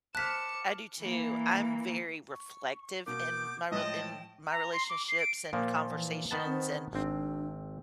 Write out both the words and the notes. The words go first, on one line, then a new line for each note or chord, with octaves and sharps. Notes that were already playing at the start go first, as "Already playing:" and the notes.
I do too. I'm very reflective in my re in my relationships and conversations, and
C5 A5 D6 F6 F#6 B6 C#7 E7
E3 A#3
C#6
B2 A#3 D6 G6
A2 F3 G#3 D#5 G5 A5
A#5
C6
D6
C7
D7
A#2 F3 A#3
E3
D#3 B3 A5
C4
G#1 C4 D4